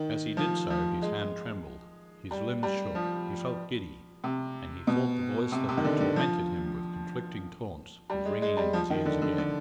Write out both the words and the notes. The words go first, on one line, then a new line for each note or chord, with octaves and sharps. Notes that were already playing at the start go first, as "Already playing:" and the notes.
As he did so his hand trembled, his limbs shook, he felt giddy, and he thought the voice that had tormented him with conflicting taunts was ringing in his ears again.
Already playing: D#3
F3
F3
G#3
G3
G3
F3
C3
B2
C3
C3
D#3
D3
D3
F3
G3
G#3
G#3
G3
F3
D#3
D3
D3
D3